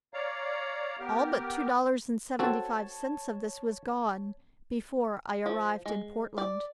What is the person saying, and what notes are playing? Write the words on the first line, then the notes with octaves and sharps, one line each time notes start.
All but two dollars and seventy-five cents of this was gone before I arrived in Portland.
C#5 D5 F5 A#5
B3 G4 A#4
C4 F#4 A4 C#5 A5
F3
G#3
D5